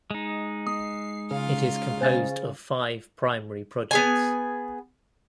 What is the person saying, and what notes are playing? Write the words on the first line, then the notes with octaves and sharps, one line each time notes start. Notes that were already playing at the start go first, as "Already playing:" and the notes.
It is composed of five primary projects.
G#3 D#4
D#6 C7
C#3 F4 F5
C5 G#5 A6
B3 G#4 G#5